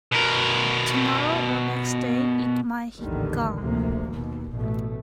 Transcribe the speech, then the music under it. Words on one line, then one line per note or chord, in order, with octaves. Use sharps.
Tomorrow or next day it might he gone.
B2 A#4
A#1 E2 A2 D3 D#3 G3
D2 C3 F3 A#3
D#2 B2
A1 B2 A3